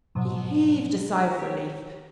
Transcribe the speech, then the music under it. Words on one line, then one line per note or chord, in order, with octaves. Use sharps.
She heaved a sigh of relief.
G#2 B2 F3 F#3
G4 C#5